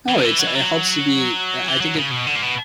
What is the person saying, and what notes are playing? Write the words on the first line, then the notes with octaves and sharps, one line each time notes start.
Oh, it's it helps to be I I think it
E3
D3
E3
F#3
E3
F#3
E3
F#3
C#3
B2
D3
A#2
B2